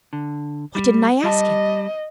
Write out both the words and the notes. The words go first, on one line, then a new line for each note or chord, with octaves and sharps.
Why didn't I ask him!
D3
G3
G3 D#5 A5